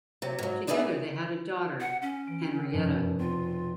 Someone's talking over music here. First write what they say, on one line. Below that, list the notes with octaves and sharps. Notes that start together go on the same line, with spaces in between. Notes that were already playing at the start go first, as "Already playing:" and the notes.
Together they had a daughter, Henrietta.
C3 F#3
G#2 F#3
D4 D#4 G#4 B4 D5 E5
F#5
C#4
E3 D7
D#3
F1 F#2 B2
C4 F4